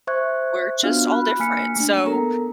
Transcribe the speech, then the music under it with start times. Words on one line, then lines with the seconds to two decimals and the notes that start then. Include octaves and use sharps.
we're just all different, so
0.07 C5 E5 C#6 F#6 G#6
0.83 B3 D4 F4 F#4 F5 F6
1.12 B5 F#6
1.40 A#3 G#5 F6 B6 C#7
1.76 A3 D4
2.06 B3 A4 A#4 A#5